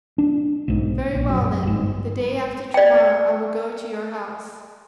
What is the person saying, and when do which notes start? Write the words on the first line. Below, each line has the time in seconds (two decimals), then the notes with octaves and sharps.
"Very well, then, the day after to-morrow I will go to your house."
0.18 D4
0.68 B1 G#2
1.15 A#1
1.30 F#2
1.63 G1 G#2
2.74 D5 G5